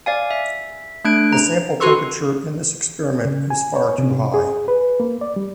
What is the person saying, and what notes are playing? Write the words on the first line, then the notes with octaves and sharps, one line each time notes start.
The sample temperature in this experiment is far too high.
D5 F5 G#5
E5
A3 D4 F#6 G#6 D7
A#5
F#4 A4 B4 C6 C#6 E6
C#3
G#5
C#5
C3
G#4
B4
A#3
D5
G3